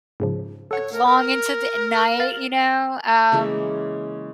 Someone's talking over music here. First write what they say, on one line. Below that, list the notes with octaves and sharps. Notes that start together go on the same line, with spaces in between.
long into the night, you know, um
G#2 C#3 F3
A4 C#5 F#5 C#7
A#4
A#4 B4
F5 A6
C#3 E3 G#3 A#3